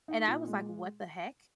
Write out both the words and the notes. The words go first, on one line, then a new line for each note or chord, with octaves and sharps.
and I was like, "What the heck?"
D#4
A#2
G#3